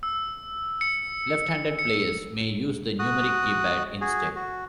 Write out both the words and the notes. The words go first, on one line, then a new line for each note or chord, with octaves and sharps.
Left-handed players may use the numeric keypad instead.
E6
C#7
C#7
F#4 D#6 F#6
F#4 G#4
F#4